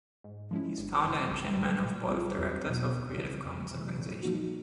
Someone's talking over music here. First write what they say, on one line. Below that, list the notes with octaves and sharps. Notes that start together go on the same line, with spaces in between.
He is founder and Chairman of Board of directors of Creative Commons Organization.
G#2
F3 G#3 C#4 E4
G1
F#2 C#3
A#1
A2 F#3
A#2
G3 C4 F4 G#4
E2
B2 F#3 B3
D2
C#3 F3
F2
C3 E3
A#2
F3 A#3 D#4 F#4